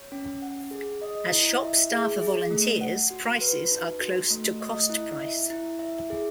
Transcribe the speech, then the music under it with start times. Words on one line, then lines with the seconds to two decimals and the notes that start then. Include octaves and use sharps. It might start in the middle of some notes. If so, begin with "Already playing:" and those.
As shop staff are volunteers prices are close to cost price.
Already playing: C#5
0.12 C#4
0.42 F#5
0.71 G#4
1.01 D#5
1.31 E4
1.61 E5
1.91 G#4
2.21 G#4
2.50 A3
2.81 F#5
3.11 F#4
3.41 B4
3.71 D#4
4.00 F#4
4.30 A3
4.61 D#5
4.90 E4
5.20 E5
5.50 E4
5.79 E5
6.10 G#4